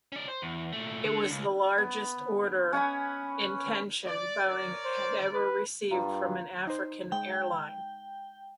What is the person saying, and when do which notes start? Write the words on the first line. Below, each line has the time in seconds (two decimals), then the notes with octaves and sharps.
It was the largest order intention Boeing had ever received from an African airline.
0.12 C#4 D5
0.28 C5
0.42 E2
0.72 A#2 A3
1.04 D3
1.30 C#2
1.78 B3
2.73 C#4 F#5 G#5 B5
4.05 D5
4.46 A#4 C#5 D5
4.85 C5
5.34 B4
5.91 G2 F4 A#5
6.67 D#4 C5
7.12 G#3 G5